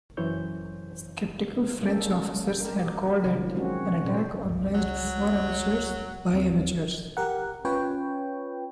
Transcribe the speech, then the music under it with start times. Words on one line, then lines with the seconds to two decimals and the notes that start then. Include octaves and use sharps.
Sceptical French officers had called it "an attack organized for amateurs by amateurs".
0.17 F#2 E3 E4 C5 C#5 G6
1.82 G#3 A#3 C#4 A4
2.58 G4 A#4
3.24 C3 D#3 F3
3.54 F#3 G#3 C4 C#4 F#4
4.04 A#2 C#4 A4 C5
4.44 C#2 G2
4.74 F#3
6.33 D#2 C4
7.17 G4 A#4 F#5
7.65 C#4 F4 B4 C#5 G5